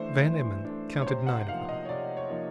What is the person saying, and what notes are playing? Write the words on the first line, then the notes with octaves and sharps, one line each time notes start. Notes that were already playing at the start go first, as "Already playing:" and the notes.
Van Emmon counted nine of them.
Already playing: E3 A3 D4 C5
E3
A3 D4
C#5
C3 C5
F#5
F3 A#3 D#4 F5
D#5
C#5
C3 D5
C#5
F3 A#3 D#4